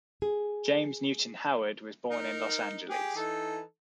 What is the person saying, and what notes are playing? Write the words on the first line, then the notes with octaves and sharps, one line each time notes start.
James Newton Howard was born in Los Angeles.
G#4
D#4 A#4
G4 G#4
E3 D#4 A4